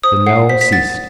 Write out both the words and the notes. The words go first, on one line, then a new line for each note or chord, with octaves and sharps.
The knell ceased.
C5 D#6
F#5 C7
C5 B6
B6
F#5 A6